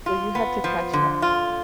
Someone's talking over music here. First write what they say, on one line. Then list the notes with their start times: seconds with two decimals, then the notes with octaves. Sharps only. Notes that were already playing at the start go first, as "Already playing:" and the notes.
So you had to catch that,
0.06 F4
0.35 B3
0.64 F3
0.93 D3
1.22 F4